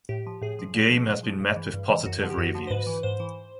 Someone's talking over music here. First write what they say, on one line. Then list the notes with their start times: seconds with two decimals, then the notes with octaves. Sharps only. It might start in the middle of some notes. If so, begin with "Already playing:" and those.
The game has been met with positive reviews.
0.09 A2 G4
0.26 F3
0.42 A2 G#4
0.59 F3
0.75 A#2
0.91 F3
1.07 A#2
1.23 F3
1.40 G2
1.56 E3
1.73 G2
1.89 E3
2.06 F#2 F#4
2.22 D3 F3
2.30 G4
2.37 F#2 F#4
2.55 D3 F3
2.67 C5
2.70 G#2 B4
2.87 E3
3.03 G#2 C5
3.20 E3